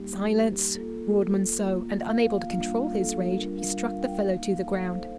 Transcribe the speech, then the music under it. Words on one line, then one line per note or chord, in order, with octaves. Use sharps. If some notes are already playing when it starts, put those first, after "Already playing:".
"Silence!" roared Monceux; and, unable to control his rage, he struck the fellow to the ground.
Already playing: G3 A#3 D#4 G4
G4
A#3 F4 A4
A#3 F4
F5
G3 A#3 D4 F4 F5
A4
G3 D4 F4 A#4
F5
F5
G5
A#3 D#4 F5
F5
A4
C5